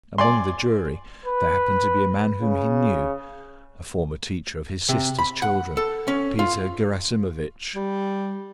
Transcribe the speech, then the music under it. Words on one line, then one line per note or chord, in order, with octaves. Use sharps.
Among the jury there happened to be a man whom he knew, a former teacher of his sister's children, Peter Gerasimovitch.
D5 G#5 C6
B4
C#3
C3
B5
F#5
A4
C#4
F4
G3